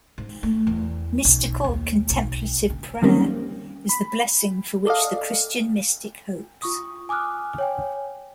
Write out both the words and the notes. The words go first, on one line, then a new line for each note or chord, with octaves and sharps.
Mystical Contemplative Prayer is the blessing for which the Christian mystic hopes.
G#2
A3
E2
B1
D#2
B1
D3
F#2 D#3 G3 A#3 C4 C#4
B5
A4 D5 D#5 F5
F4 C#6 D#6
G#5 D6 D#6 F6 F#6
C#5 G5 G#5